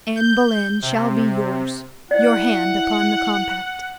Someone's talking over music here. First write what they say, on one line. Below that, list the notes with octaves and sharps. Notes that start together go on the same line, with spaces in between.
"Anne Boleyn shall be yours. Your hand upon the compact."
G6
C3
E4 D5 F#5